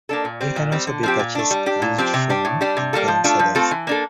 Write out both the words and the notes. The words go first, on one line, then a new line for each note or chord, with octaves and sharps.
It can also be purchased used from independent sellers.
A#3 D4 A4
A#2
G3 C4
A#2
G3 C4
D3
F3 C4 G4
A#2
A3 D4
G3
D4 G4
A#2
F3 C4 G4
C3
G3 D4 G4
A2
G3 D4 G4
C3
G3 A#3 F4 A4
F3
A3 D4 F4
F3
A3 C4 F4 A4
E3
A#3 D4 A4